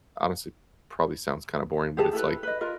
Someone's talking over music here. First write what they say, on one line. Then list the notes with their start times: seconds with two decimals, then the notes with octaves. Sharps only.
honestly, probably sounds kinda boring, but it's, like
1.97 G4 G#4 A5
2.13 E4 A4 B4
2.43 B4 D#5
2.61 F4 A#4 D#5